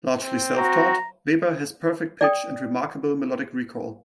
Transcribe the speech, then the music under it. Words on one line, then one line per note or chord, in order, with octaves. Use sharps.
Largely self-taught, Weber has perfect pitch and remarkable melodic recall.
C4
F#4 A#5
D5 G5 D#6